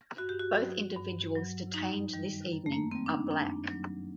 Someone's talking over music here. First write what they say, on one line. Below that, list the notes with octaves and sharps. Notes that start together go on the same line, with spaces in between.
Both individuals detained this evening are black.
G2 F#4
G4
F#4
F#3
G2
F#3
F#2 D#4
D#3 G3
F#2
A3
A#3
D#3 G3 C4
D4
D#4
F#2 D4
F#3